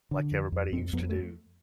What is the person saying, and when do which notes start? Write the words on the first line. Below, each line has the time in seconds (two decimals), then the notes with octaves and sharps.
like everybody used to do.
0.11 D3
0.32 F2
0.52 F2
0.72 F2 C4
0.93 F2 B3
1.09 A3